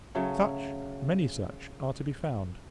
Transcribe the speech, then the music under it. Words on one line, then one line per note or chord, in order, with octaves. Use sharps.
Such, many such, are to be found.
C#3 F#3 A3